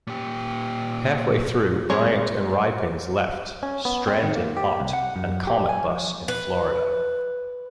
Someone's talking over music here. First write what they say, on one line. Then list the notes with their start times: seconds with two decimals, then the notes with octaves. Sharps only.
Halfway through, Bryant and Rypins left, stranding Ott and Cometbus in Florida.
0.07 A#2 G4
1.90 G3 G#3 C4 G#4 C#5
3.63 C#4
3.85 B3
4.07 C4
4.23 D#3
4.36 A#3
4.57 G4
4.80 C2
4.93 F#5
5.16 F#2
5.47 G4
5.69 G#5
5.88 F3
6.28 B4